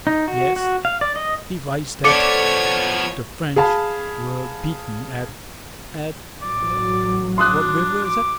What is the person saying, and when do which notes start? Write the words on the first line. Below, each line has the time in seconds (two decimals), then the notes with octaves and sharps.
"Yes, he writes that the French were beaten at... at... what river is it?"
0.07 D#4
0.28 F#4
0.56 F#4
0.85 F5
1.01 D5
1.16 D#5
2.04 F3 B3 A4 C#5 D5 D6 G#6 C#7
3.56 G#4 F5 A5 B5
6.42 A1 F#3 D5
7.38 D4 C6 D#6 F#6
8.04 D6